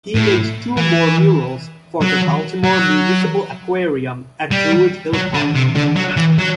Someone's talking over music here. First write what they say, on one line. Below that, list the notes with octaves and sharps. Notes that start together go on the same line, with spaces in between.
He made two more murals for the Baltimore Municipal Aquarium at Druid Hill Park.
A2
E3
F#3
F#3
G3
F#3
D3
C3
D3
F#3
E3
F#3